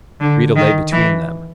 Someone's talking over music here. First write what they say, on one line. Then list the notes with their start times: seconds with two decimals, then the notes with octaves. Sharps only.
Rita lay between them.
0.20 D3
0.56 D#3
0.92 E3